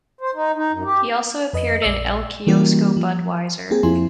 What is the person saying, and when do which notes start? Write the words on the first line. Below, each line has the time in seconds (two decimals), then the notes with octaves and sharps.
He also appeared in "El Kiosko Budweiser".
0.21 C5
0.35 D#4
0.55 D#4
0.72 F#2
0.84 G4
1.53 F2 B4 D#5
1.82 A#1 D5 E6
2.47 E3 G3 A#3 C#4 F#4 G4
2.97 F3
3.71 A#3 C4 G4 G#4
3.83 F2 F3 C4 E4 G#5 C6